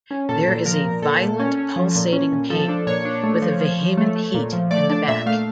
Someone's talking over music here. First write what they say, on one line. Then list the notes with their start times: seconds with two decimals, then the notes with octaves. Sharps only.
There is a violent pulsating pain, with a vehement heat in the back.
0.11 C#4
0.29 A#2 A4
0.48 A#2
0.65 F3 A#4
0.84 A#2
1.02 A#2 A4
1.21 A#2
1.39 C#4
1.57 C#4
1.76 F3
1.95 A#2
2.13 C#4
2.32 A#2
2.50 F3 A4
2.68 D4
2.87 A#2 C#5
3.05 D4
3.23 A3
3.42 F3
3.61 F3
3.79 F3
3.97 A3
4.16 A3
4.34 A#2
4.53 F3
4.71 A3 D5
4.89 D4 D5
5.08 A#2 E5
5.26 A3 F5